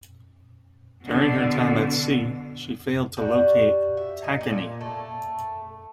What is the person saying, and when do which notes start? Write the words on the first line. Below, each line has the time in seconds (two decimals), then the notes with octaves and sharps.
During her time at sea, she failed to locate "Tacony".
1.05 B2 D3
3.17 G3 F#4
3.97 E5
4.24 D#4
4.41 A#2 G#5
4.81 A3 A4